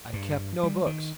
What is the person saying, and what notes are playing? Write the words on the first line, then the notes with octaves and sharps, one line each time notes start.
I kept no books.
G2
G3
D#3